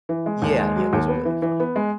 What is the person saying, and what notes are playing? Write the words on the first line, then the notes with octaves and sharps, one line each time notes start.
Yeah, yeah, those are really fun.
E3
G#3
D#2
G#3
F#3
D#2
B3
E3
E3
B3
G#3